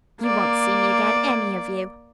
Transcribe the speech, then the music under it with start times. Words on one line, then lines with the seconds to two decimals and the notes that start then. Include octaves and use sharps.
You won't see me again, any of you.
0.22 A#3 D5